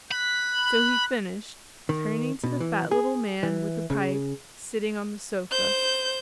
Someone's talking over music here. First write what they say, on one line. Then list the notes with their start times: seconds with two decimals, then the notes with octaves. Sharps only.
So he finished, turning to the fat little man, with the pipe, sitting on the sofa.
0.11 B5 F#6
1.89 D#3
2.44 B2
2.60 E3
2.91 G#4
3.43 E3
3.90 C#3
5.52 C5 G6